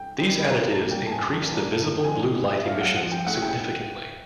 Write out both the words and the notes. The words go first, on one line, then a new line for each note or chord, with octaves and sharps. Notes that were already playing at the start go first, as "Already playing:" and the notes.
These additives increase the visible blue light emissions significantly.
Already playing: G5
G3 C4 D#4 G5
B5
E3 A#5
A5
G3 A#3
G5
A5
G2 G#5
A5
E3 G3 A#3
A5
A#5
G2 A5
G5
D3 F3 G#3 G#5
B2
E5
F#3 A#3 D4 F5
F#5
F3 F#5
G5
A3 C#4 E4 G#4 F#5
G5